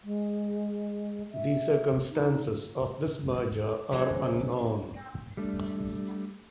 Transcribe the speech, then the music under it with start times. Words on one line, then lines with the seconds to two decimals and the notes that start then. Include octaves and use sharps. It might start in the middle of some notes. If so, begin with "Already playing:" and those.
The circumstances of this merger are unknown.
0.04 G#3
1.32 E5
2.10 D#4
3.91 C#3 F3 F#3 G#3 C4 D#4
5.37 G3 A3 D4